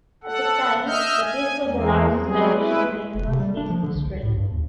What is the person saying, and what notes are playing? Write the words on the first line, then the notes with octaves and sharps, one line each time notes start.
At the time, the gift was the largest donation in the university's history.
A4 F#5
D#5 E5 F6 G6
G#5
E2 G#3 A#3 C4
F#3 G3 B3 C4 G#4
G#3 E4 B4
F1
C3
G3
D4
F3
D3
C2
C2
A2
G2
D#2